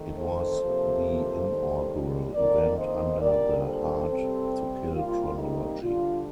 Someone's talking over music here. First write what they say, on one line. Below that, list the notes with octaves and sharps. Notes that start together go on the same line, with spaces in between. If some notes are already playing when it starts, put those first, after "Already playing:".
It was the inaugural event under the Hard To Kill chronology.
Already playing: F2 D#3 A3
A4 C5
C3 F3 A#3
D#2 D#3 G3
F2 D#3 A#3 A#4 D5
C5 D#5
A#2 G3 D4 A#4 D5
A4 C5
C3 G3 C4
C3 G3 A#3 F4
D#4
D2 D3 G3 D4 F4